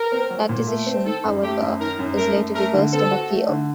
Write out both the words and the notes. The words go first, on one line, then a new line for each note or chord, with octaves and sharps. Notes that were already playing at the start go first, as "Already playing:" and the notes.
That decision, however, was later reversed on appeal.
Already playing: A#4
C4
F#3
A#2
A3
C4
D#3 A4
F#2
A3 G4
F#2
D#3 A#4
F#2
A3 A#4
F#2
A3 A#4
D3
C4 A4
F#4
A3
D3